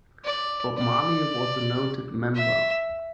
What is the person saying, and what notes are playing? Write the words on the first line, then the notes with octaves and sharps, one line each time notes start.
Bob Marley was a noted member.
D5
D5
E5